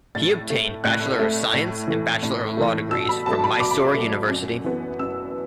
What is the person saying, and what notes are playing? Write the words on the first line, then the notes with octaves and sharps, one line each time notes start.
He obtained Bachelor of Science and Bachelor of Law degrees from Mysore University.
A2 A6
A3
A2 F#6
A3
A2
E3 A3
A2
E3 A3
B2 E6
B5
F#3 A3 A5
B5
B2 D6
B5
D6
F#3 A3
F#2
E3 B3
F#2 E6